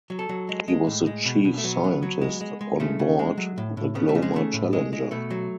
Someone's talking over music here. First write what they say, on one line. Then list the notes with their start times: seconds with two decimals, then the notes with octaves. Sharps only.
He was the chief scientist on board the Glomar Challenger.
0.10 F#3
0.19 A4
0.29 F#3
0.49 G#3
0.68 G#3
0.87 A2
1.07 G#3
1.25 B2
1.44 B2
1.58 A3
1.64 F#3 B3
1.84 F#3
2.03 F#3
2.21 G#3
2.41 G#3
2.61 G#3
2.80 C#3 A3
2.99 C#3
3.19 G#3
3.37 F#3
3.58 A2
3.77 A2
3.95 C#3 B3
4.09 A3
4.15 C#3
4.22 G#3
4.34 C#3 A3
4.53 A2
4.73 G#3
4.93 G#3
5.11 B2 A3
5.30 F#3